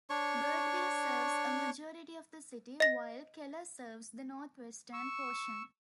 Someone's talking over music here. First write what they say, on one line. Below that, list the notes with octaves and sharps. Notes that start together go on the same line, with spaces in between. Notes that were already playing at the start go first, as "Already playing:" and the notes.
Birdville serves a majority of the city, while Keller serves the northwestern portion.
D4 C#5 C#6
D#5 A#6
C#6 E6